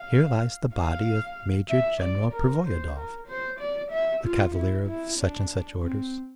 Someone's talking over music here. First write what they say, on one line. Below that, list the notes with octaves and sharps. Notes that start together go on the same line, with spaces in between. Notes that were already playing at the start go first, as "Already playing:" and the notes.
"Here lies the body of Major-General Pervoyedov ... a cavalier of such and such orders." Hm!
Already playing: F5
F5
E5
D5
A#4
C5
A#4
C5
D5
E5
F4
E4
E4
D4
C4